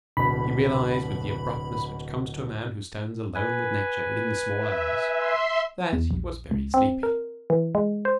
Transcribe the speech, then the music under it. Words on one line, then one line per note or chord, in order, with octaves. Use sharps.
He realized with the abruptness which comes to a man who stands alone with nature in the small hours that he was very sleepy.
D1 B2 B5
B4 G#5
E5
E5 C6
E2
A#1
C#2
C4
A#4
E3
G#3
C5